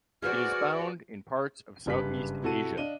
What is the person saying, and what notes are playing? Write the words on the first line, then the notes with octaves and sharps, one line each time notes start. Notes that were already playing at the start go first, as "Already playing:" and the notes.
It is found in parts of Southeast Asia.
F#4 G#4 B4 C5 D5 F6
F#1 G2 G4 B4 B6
C3 E4 F#4 A4 A5 D#7
D4 D#5 F5 D#7 G7